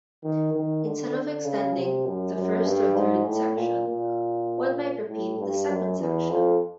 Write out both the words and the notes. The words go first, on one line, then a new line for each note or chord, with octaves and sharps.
Instead of extending the first or third section, one might repeat the second section.
D#3
D#3
D3
D3
C#3
C3
F#2
F#2
G2
G#2
A2
A#2
A#2
A2
G2
F#2
E2
F2